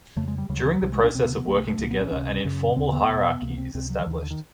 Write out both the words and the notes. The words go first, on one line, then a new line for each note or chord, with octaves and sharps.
During the process of working together an "informal hierarchy" is established.
F2 C#3 A3
G#3
G3
D2 C#3 G3
F#3
F3
F#3
C2 C3 G3
G#3
D4
D2 C3 C4
B3
B3
C2 C3 A#3
A3
A3
C2 A#2 A#3
B3
C#4
C#2 C3 C#4
F#2 C#3
D#2 D3 C4
B3
E2 B2
C#2 C3 A#3
B3
C4
C#2 C3 C4
F#3
D#3
D#2 D3 E3
D#3
D3
D#3